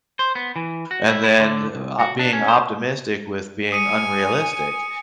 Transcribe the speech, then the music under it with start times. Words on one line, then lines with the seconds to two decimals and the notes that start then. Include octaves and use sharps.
and then op being optimistic with being unrealistic,
0.19 C5
0.35 B3
0.56 E3
0.91 F#4
1.08 E4
1.24 E4
1.40 D3
1.75 C2
1.99 F#4
2.19 D4
2.33 C#4
2.48 C5
3.72 G#5 D#6 C#7 D#7